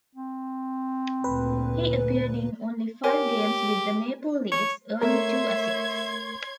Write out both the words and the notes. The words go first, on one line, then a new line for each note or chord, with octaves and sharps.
He appeared in only five games with the Maple Leafs, earning two assists.
C4
D2 A#2 B4
G4 A#4 C#5 G#5
C#5
A3 A#4 C#5 E5 C6 G#6